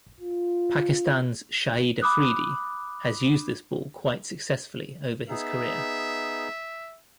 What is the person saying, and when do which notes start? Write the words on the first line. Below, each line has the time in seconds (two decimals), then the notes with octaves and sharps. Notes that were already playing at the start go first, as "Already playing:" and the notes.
Pakistan's Shahid Afridi has used this ball quite successfully over his career.
0.20 F4
2.02 B5 D6 D#6 F#6
5.29 B3 D#4 G#4 E5